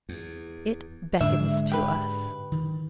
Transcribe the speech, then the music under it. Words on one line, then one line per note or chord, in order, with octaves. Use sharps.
It beckons to us.
E2
G#2 D3 G#3 D4 E5
G4 B4
D#3